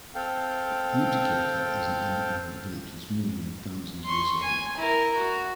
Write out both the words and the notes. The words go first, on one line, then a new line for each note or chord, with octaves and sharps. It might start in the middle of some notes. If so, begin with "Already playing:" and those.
Uitkerke, as an independent village, is more than a thousand years old.
C4 A4 F5 G5
C6 C#6
G#5
E4 A#4
F#4